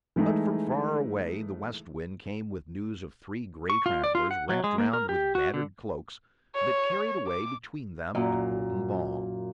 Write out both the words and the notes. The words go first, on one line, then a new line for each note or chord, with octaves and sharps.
But from far away the West Wind came with news of three grey travellers wrapt round with battered cloaks that carried away between them a golden ball.
E3 G#3 A3 D#4 G#4
C#6
F4
D5
F4
F#5
F#3
G#3
A#3
A#4
G4
F#4
D3
C#5
D6
F#2 A#2